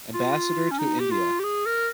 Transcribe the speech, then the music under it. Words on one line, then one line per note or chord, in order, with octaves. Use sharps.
Ambassador to India.
F4
C#4
D#4
G4
F4
G4
G#4
A#4